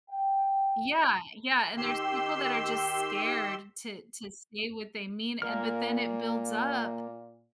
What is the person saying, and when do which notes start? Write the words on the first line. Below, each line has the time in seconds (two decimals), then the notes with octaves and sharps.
Yeah. Yeah. And there's people that are just scared to to say what they mean, and but then it builds up
0.11 G5
1.77 D#3 G4 C6 E6
5.42 A#2 A#3 A#4 F6